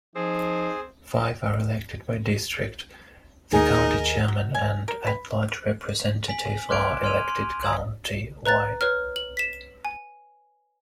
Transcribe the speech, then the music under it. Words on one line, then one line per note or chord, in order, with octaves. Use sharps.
Five are elected by district, the county chairman and at-large representative are elected county-wide.
F3 C4 D#4 G#4
D#2 D#4 G#4 A#4 D#5 G#5
F#3
G#5
A#4
B4
G#5 B6 F#7
C6 D6 F6 F#6 G#6 D7
C6 F6 G#6 D#7 F7
C6
G#5 A#5 D#6 E6 G#6 F#7
B4 A#5 F#6 A6
B4 C#5 F6
F#7
B6 E7
G#5